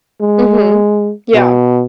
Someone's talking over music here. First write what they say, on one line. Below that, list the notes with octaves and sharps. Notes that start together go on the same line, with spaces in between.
Mhm, yeah.
G#3
B2